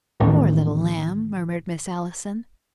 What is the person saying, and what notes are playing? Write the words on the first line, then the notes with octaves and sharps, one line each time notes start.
"Poor little lamb," murmured Miss Allison.
A1 D#2